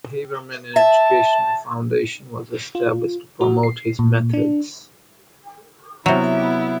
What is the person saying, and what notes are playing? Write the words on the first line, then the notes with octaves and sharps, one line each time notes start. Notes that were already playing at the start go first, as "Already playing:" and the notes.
The Haberman Educational Foundation was established to promote his methods.
E5 A5
F4
F#4
C7
A#2
D4
C3 F#3 B3 E4